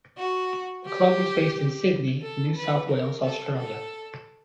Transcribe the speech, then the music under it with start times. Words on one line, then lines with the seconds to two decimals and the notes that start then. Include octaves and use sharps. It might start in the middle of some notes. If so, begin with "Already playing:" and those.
The club was based in Sydney, New South Wales, Australia.
0.17 F#4
0.86 G4
2.22 A4
2.56 B4
2.90 A#4
3.24 A4
3.58 A4